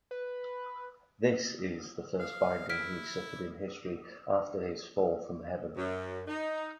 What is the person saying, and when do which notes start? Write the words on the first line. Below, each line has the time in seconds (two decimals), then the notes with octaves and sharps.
This is the first binding he suffered in history after his fall from heaven.
0.11 B4
2.20 F5
2.69 E4 F6 B6 D7
5.77 F#2
6.28 D#4